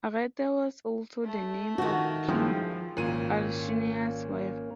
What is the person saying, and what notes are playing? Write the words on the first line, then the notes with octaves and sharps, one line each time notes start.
Arete was also the name of King Alcinous's wife.
A3
D#3 F3 F#4
G2 F3 G#3 E4
G#1 A#2 A#3 C#4 A#4 D#7